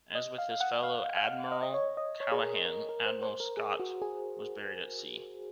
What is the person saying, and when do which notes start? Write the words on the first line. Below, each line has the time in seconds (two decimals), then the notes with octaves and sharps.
As with his fellow Admiral Callaghan, Admiral Scott was buried at sea.
0.15 D#5
0.38 F5
0.51 F5
0.60 F#5
0.83 F5
1.17 F5
1.52 D#5
1.63 D#5
1.74 C#5
1.97 D#5
2.20 C#5
2.32 G#4
2.43 A#4
2.65 A#4
2.89 A#4
3.06 C5
3.22 C5
3.40 A#4
3.57 G#4
3.80 F#4
4.02 G#4